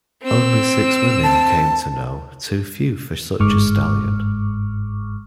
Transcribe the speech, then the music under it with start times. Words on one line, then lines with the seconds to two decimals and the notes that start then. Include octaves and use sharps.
Only six women came to know, too few for such a stallion.
0.22 C4 E6
1.24 A5
3.40 G1 G#2 G#3 C#6 D6 F6